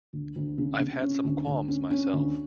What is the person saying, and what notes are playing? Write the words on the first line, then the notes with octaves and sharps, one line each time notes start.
I’ve had some qualms myself.
D2
D2
C#3
C#3
C#4
D2
D2
C#4
C#4
D2